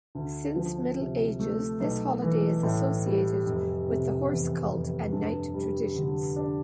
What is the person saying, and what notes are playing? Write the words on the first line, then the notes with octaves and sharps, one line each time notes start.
Since Middle Ages, this holiday is associated with the horse cult and knight traditions.
D2
F3
C3
A3
B1
E3
A2
G3
F1
C3
E2
F1
G2
G3
D3
D4